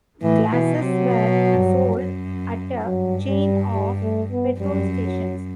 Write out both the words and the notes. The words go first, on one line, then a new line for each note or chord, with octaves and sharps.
Glasses were sold at a chain of petrol stations.
A2 E3
B2 E3
C3 F#3
B2
G2
F#2
G2 F#3
G3
G3
A3
B3
F#2 G3
F#3